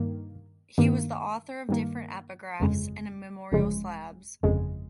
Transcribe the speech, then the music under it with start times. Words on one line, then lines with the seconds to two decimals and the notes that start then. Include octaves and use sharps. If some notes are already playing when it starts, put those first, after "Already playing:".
He was the author of different epigraphs and memorial slabs.
Already playing: G2 D#3 A#3
0.78 G2 D#3 A#3
1.69 G2 D#3 A#3
2.60 G1 F2 C#3 G#3
3.52 G1 F2 C#3 G#3
4.43 G1 F2 C#3 G#3